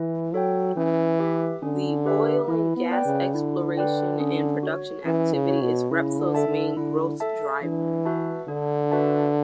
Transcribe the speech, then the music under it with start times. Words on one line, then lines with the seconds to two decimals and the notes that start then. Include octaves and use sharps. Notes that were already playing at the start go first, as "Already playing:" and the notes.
The oil and gas exploration and production activity is Repsol's main growth driver.
Already playing: E3 E4
0.34 F#3 A4 C#5 G5
0.76 E3 C#4
1.19 G4 B4 E5
1.63 D3 C#4
2.06 G4 B4 E5
2.48 E3 E4
2.76 B3
2.91 B4 D5 G5
3.05 C#3
3.34 D3 E4
3.77 B4 D5 G5
4.20 C#4
4.63 F#4 C#5
5.05 E3 C#4
5.34 C#3
5.49 F#4 C#5
5.62 B2
5.91 C#3 E4
6.19 D3
6.35 A4 E5 A5
6.48 D3
6.76 D3 E4
7.20 A4 E5 A5
7.62 E3 D4
8.05 F#4 B4 E5 A5
8.48 D3 D4
8.92 F#4 B4 E5 A5